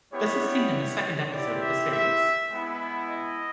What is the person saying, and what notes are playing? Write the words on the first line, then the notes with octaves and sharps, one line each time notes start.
This is seen in the second episode of the series.
G3 B3 E4 G4 C#5
C4 E4 G4 D5
E5
E5
G#3 B3 E4
D#5